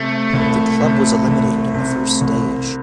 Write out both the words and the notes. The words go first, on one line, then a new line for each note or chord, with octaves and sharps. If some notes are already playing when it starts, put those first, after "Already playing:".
The club was eliminated in the first stage.
Already playing: C3 A3
C2
C3
C2
C3
C2